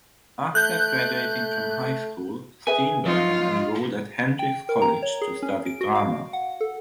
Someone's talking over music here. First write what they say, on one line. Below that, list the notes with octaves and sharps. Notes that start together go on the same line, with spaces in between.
After graduating from high school, Steenburgen enrolled at Hendrix College to study drama.
A3 F#6 G6
G#4 B4 E5 G#5
F3 F#3 D#4 F4 D#5
G5
A#4
A#5
C#5
G#4
C#4
D7
F#4
F5
F#5
A4